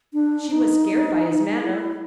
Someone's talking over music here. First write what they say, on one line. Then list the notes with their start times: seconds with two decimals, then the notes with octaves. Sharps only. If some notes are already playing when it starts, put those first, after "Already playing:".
She was scared by his manner.
0.14 D4
0.50 D#4
1.62 E4